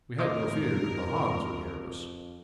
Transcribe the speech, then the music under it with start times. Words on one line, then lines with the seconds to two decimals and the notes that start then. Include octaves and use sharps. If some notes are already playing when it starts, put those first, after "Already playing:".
We had no fear that the Hans would hear us.
0.19 F2 A#4 D#5 C6 D6